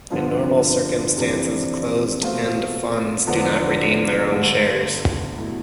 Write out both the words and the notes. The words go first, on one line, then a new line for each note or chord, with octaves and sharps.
In normal circumstances, closed-end funds do not redeem their own shares.
G2 D3 F3 B3
F2 C3 E3 G3 D4
B2 A3 C4 F4
E2 D3 F3 B3 D4
G2 D3 A3
B2 A3 E4